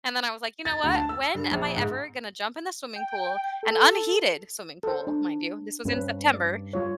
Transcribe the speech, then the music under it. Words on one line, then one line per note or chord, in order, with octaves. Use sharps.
and then I was, like, "You know what, when am I ever gonna jump in the swimming pool," an unheated swimming pool mind you this was in September
A6
D2
A5
E6
G2
A#1
G#2
G5
A4
A4 C5
D4
G2 C4 C#4 B4
D5
G3 F4 C#5